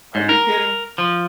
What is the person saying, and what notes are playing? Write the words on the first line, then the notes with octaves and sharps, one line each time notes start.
Are you kidding?
G#2
A#4
F3